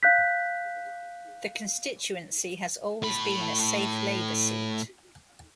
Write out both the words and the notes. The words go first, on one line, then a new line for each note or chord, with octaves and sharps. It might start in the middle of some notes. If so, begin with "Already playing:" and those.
The constituency has always been a safe Labour seat.
F5 F#6 G6 B6
A2 B5